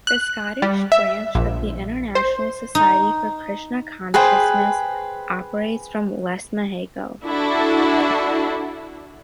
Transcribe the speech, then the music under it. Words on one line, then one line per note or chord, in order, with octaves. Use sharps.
The Scottish branch of the International Society for Krishna Consciousness operates from Lesmahagow.
F#6
G3
E5
A#1
C5
D#4
G#4 B4 C5 G5
D4 E4 F#4 A4